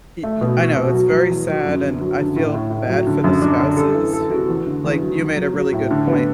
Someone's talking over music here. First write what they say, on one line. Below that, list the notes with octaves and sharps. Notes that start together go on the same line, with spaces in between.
I i I know it's very sad and I feel bad for the spouses who, like You made a really good point.
A3
B2
F#4
B2
F#3
F#3
E2
F#3
F#2
D3
F#3
D3
A2
A2
A2
F#3
D3
F#2
D4
D3
A4
E3
A4
F#4
E2
D3
E2
F#3
F#3
F#3
F#3
A2
D3
B3